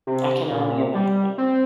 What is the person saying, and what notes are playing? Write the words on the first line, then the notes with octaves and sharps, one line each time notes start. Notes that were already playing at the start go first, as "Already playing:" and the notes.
I can only imagine.
C3
A#2
G3
C4